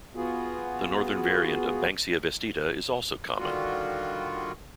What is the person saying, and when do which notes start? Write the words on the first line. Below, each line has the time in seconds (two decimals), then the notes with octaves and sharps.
The northern variant of "Banksia vestita" is also common.
0.15 B3 F4 F#4 G#4
3.39 D3 D#3 G3 F4 F#4